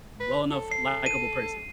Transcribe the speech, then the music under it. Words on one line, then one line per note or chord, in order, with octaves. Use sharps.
well-enough, likable person.
B4
A4
C7
D#7